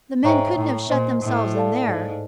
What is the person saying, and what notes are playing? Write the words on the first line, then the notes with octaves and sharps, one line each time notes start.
"The men couldn't have shut themselves in there."
G#2 C#5 E5 G5 A#5 C#6
A2
A#2 C5 D#5 G#5 C6
A2
A4 D5 F5 A5
G#2